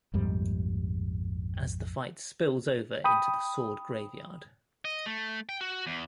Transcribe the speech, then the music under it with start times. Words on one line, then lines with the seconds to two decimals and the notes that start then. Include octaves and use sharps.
As the fight spills over into the Sword Graveyard.
0.14 A#1 F2 G#2 G3
3.04 G5 B5 D#6
4.85 D#5
5.06 A3
5.49 G5
5.61 F#4
5.86 E2